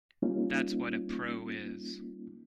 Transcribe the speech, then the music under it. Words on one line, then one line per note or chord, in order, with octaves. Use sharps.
That's what a pro is.
G3 A#3 C#4 D#4 F4